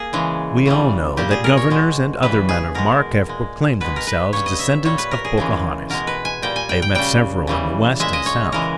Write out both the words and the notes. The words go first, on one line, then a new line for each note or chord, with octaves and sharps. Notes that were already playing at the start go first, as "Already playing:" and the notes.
We all know that governors and other men of mark have proclaimed themselves descendants of Pocahontas; I have met several in the West and South.
Already playing: A#3 G#4
C#3 E3 G#3
C#3 E3 G3
A#2 G3 G4
G#4
A#4
C#5
B2 G#3
C#3 E3 G3 B4
G#4
B2 G#3 A#4
A#2 G#3
B2 G#3 B4
A#4
B4
C#3 G3 C#5
D#5
E5
A#2 G3 C#5
B4
A#4
G#4
C#3 E3 G#3
B2 G#3 A#4
B4
G#5
A#2 G3 G5
G#5
G5
G5
C#3 G3 G5
C#3 E3 G3
A#2 G#3 E5
D#5
C#5
C#3 E3 G#3 A#4